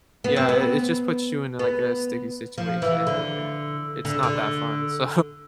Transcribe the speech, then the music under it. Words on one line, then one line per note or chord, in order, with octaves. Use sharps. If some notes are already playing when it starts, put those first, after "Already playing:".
yeah, i it just puts you into, like, a sticky situation and it's not that fun. So,
B3
C4
B3
B3
F3
E3
D3
D3
D3